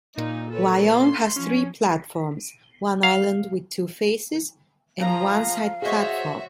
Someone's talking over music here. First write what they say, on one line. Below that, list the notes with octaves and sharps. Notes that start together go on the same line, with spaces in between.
Wyong has three platforms, one island with two faces and one side platform.
A#2 D#4
A4 B4 C#5
C6
F3 C#4
F5
F3 G#4 F5 A#5
F#4 G#4 C5 C#5 D#5 E5